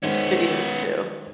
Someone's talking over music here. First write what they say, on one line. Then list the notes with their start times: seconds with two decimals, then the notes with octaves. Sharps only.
videos, too.
0.03 D#3 G#3 B3 C#4 C5